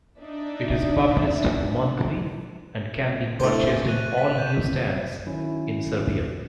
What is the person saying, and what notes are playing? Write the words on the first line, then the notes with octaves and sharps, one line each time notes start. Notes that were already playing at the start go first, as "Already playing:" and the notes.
It is published monthly and can be purchased in all newsstands in Serbia.
D4 D#4 D5 E5
A3 D4 E4 C5
G#4
D2 G2 C#6 F#6 D#7
A#4 C#5 D5 A6 B6
G6 D#7 E7
D#3 F#3 C#4 E4